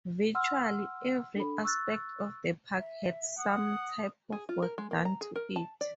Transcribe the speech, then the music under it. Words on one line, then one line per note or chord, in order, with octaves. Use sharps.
Virtually every aspect of the park had some type of work done to it.
F#5 C6 E6 F6
D4 A4 B5
C#6 E6 F#6 A6
E5
F#5 D#6
G#4
F4
A#4
G#3
A#3
A#5
G#4
A#4
A5
D5